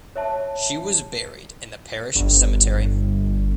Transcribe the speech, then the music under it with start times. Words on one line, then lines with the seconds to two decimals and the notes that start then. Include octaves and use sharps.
She was buried in the parish cemetery.
0.16 C#5 E5 A5
2.15 G1